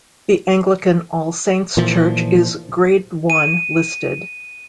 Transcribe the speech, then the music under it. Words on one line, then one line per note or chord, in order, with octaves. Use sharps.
The Anglican All Saints' Church is Grade One listed.
A#2 E3 F3
D#7